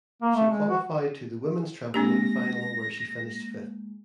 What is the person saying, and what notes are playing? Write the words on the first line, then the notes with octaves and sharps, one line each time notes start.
She qualified to the women’s trampoline final where she finished fifth.
A#3
A3
G#3
F#4
G#3 A#3 C4 D4 G4 A#6